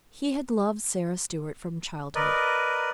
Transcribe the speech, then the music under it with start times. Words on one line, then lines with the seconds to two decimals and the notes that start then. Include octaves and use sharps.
He had loved Sara Stuart from childhood.
2.15 A#4 B4 D5 D#5